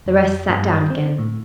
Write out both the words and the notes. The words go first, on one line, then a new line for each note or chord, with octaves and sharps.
The rest sat down again.
F2
G2
C4
A2